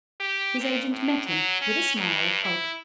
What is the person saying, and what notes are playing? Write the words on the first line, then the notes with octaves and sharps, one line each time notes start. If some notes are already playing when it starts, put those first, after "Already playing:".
His agent met him with a smile of hope.
G4
A#2
A2
F#3
C#4
G2
E4